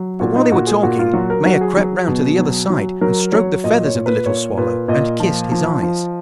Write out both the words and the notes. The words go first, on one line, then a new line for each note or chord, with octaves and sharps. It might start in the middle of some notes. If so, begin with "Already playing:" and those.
But while they were talking, Maia crept round to the other side and stroked the feathers of the little swallow, and kissed his eyes.
Already playing: F#3
A#2 F#4
D#4
A#2 F#4
G#4
A#2 F#4
F4
F#3 F#4
A#4
F#3 F#4
G#4
F#3
B2
F#3
F#3
F#3 A#4
F#3 C#5
A#2 D#5
C#5
A#2
B4
A#2 C#5
A#2 B4
A#2 D#5
F3
F3
F3